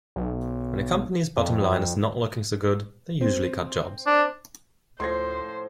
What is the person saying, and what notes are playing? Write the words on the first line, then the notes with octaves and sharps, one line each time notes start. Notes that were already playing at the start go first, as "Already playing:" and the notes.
When a company's bottom line is not looking so good, they usually cut jobs.
B1
F2
C4
D4
D2 A2 F3 C5 C6 G#6 A#6